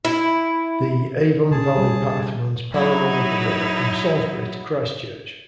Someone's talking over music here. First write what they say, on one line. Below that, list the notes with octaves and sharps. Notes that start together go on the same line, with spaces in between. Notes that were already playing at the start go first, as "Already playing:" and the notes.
The Avon Valley Path runs parallel with the river from Salisbury to Christchurch.
E4
C#3 C#4 G#4 A5
B2 G3 A4
F#3 D#4 E4